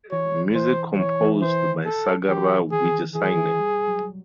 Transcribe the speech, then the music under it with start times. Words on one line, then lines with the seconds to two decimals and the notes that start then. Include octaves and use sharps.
Music composed by Sagara Wijesinghe.
0.11 E3 C#5
0.55 E3 C5
0.98 E3 C#5
1.21 E3
1.42 E3 C5
1.64 D#3
1.86 A4
2.28 E3 G4
2.63 E3
2.72 D#3 G#4
3.15 E3 G#4
3.38 E3
3.59 G3
3.87 F#3